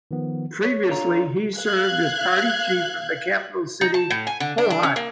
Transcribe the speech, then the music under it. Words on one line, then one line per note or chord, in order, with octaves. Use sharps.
Previously he served as party chief of the capital city Hohhot.
D#3 F3 B3
C#5
D3 F4 A#5
F5 F#6 G#6
D#4
A5
A2
G#5
D3
D4
D4
C#4
A#3